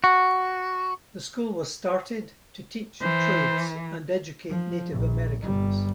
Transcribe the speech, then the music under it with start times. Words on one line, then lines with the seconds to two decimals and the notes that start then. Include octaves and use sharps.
The school was started to teach trades and educate Native Americans.
0.04 F#4
3.02 E3 C5
4.50 F3
4.92 A#1
5.42 G1 G3